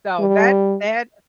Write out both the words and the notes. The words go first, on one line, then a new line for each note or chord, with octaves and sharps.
So that that,
G3